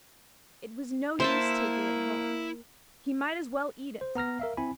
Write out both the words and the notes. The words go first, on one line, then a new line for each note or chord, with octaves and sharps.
It was no use taking it home, he might as well eat it.
A#3 E4 C5 E5 A5
C5
B3 A#5 F6 A#6
A#4 E5 F5
C4 E4 G#5 B5